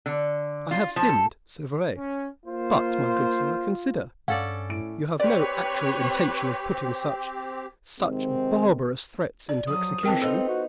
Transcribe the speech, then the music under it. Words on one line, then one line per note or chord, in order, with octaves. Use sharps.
"I have sinned--c'est vrai--but, my good sir, consider!--you have no actual intention of putting such--such barbarous threats into execution."
D3
F4
F3
A4
C#4
A#3 F4 C5
G2 C#4 A4 D5 F5 F#5
A2 D7
C4 G4 B4 C#5 D5
G#2 C3 D#3 G#3 C4
D5
F3 F#3 D#6
E3 G#3 C4 D4 A#4 G5 A5
B3 D#4 F4 A4 C5
F#4